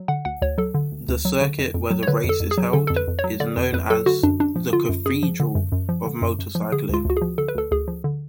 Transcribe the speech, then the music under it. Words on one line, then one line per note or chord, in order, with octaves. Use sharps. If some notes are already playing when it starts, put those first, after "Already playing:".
The circuit where the race is held is known as "The Cathedral" of motorcycling.
Already playing: F#3
D3 F#5
D2 F#5
D2 C#5
F#3 A4
D3
D2
D2
F#3
D3
F2
F2
F#3
C#5
D3 B4
F2
A4
F2
G#4
F#3
D3 A4
F2 A4
B4
F2
C#5
F#3
D3 D5
F2
F2 B4
F#3 A4
D3 F#4
F#2 D4
F#2 D4
F3
D3 F4
F#2
F#2 G#4
F3
D3
F#2
F#2
F3
D3
F#2
F#2
F3
D3 G#4
D2 F4
D2 F#4
F3 G#4
D3 A4
B4
D2 A4
D2 G#4
F3
D3